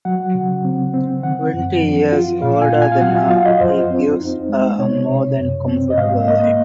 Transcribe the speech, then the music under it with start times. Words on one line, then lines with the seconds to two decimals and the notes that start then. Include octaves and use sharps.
Twenty years older than her, he gives her a more than comfortable life.
0.05 F#3 F#5
0.34 C#3
0.65 C4
0.94 C4
1.23 D#3 F#5
1.53 F#2
1.82 F3
2.12 F4
2.42 A#2 F5
2.62 G#5
2.71 F4
2.82 G#5
2.92 F5
3.01 F#3 F#5
3.15 F5
3.30 F4 F5
3.45 D#5
3.61 F2 C5
3.90 C4
4.20 D#4
4.49 G#3
4.79 C3 C#5
5.08 C3
5.38 F#2
5.68 C4
5.90 D#5
5.98 G#2 F5
6.28 A#3 D#5